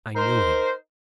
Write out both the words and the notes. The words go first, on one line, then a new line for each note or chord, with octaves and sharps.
I knew him.
D#4 A#4 C5